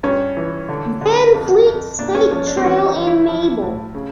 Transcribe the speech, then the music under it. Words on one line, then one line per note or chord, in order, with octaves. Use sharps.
Van Fleet State Trail in Mabel.
G2 C#4
E3
D3
D3
F2
F2
A#2 D4
C#4
F3 C#4
D4
C4
E3 C#4
D#4
E3
E4
F3
A2
C#3